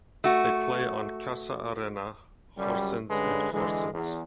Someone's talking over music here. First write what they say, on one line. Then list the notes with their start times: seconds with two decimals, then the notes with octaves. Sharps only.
They play on Casa Arena Horsens in Horsens.
0.24 A3 F#4
2.58 C#2 F#2 G3
3.10 G2 D3 G#3 C#4 B4
3.52 D3 E3 G#3
3.94 E2